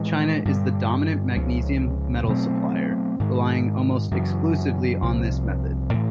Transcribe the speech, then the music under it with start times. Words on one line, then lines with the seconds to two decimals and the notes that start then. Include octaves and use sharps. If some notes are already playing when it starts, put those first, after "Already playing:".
China is the dominant magnesium metal supplier, relying almost exclusively on this method.
Already playing: A2 E3 G#3
0.45 G2 D3 G3
1.36 C#2 C#3 F3
2.27 B2 F#3 A3 C4
3.19 G#2 D#3 G#3
4.11 F#2 C#3 E3
5.02 C2 C3 F3
5.93 A2 E3